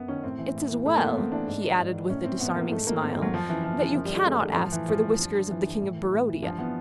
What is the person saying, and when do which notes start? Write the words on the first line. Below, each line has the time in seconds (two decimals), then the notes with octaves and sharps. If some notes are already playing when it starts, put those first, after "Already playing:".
It's as well," he added with a disarming smile, "that you cannot ask for the whiskers of the King of Barodia.
Already playing: F#2 B3
0.08 D#3 C#4
0.23 A2 C4
0.39 E3
0.55 A2
0.70 E3
0.86 A2 A3
0.96 E3 A#3
1.06 B3
1.17 A2 C4
1.31 E3 D4
1.47 G#2
1.63 D#3
1.78 G#2
1.94 D#3
2.09 A2 C#4
2.25 E3 C4
2.40 A2 B3
2.56 E3 A#3
2.71 G#2 A3
2.87 D#3 A#3
3.02 G#2 C4
3.12 A#3
3.18 D#3 F#3
3.33 F2 F3
3.49 C#3 E3
3.64 F2 F3
3.79 C#3 E3
3.95 F#2 F3
4.05 G3
4.11 D#3 G#3
4.26 F#2 A3
4.42 D#3 G#3
4.57 A2 F3
4.72 E3
4.88 A2 F3
5.03 E3
5.19 G2
5.34 D3
5.50 G2 E3
5.65 D3
5.81 A2
5.96 E3
6.12 A2
6.28 E3
6.43 G2 F3
6.58 E3 B3